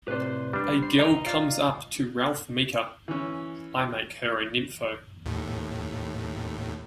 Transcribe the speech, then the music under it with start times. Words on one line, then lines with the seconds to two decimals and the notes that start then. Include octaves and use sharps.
A girl comes up to Ralph Meeker, I make her a nympho.
0.08 A2 C3 B4 C5 D5
0.53 G3 D4
0.82 C5 C7
0.99 D#5 A#5
1.26 F4 C5 D5 F5
3.08 E3 C#4
5.26 D#2 A2